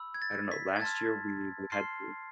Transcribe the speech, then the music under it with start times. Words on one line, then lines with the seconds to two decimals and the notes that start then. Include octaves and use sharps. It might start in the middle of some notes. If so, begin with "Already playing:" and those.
I don't know, last year we we had to
Already playing: B5 E6
0.14 G#6
0.22 A6
0.52 B6
0.76 G#6
0.81 A5 C6 F6 A6
1.72 A5 C6 F6 C7